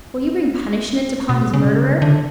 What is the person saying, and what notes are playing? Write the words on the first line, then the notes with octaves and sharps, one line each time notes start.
Will you bring punishment upon his murderer?
B2
C#3
D3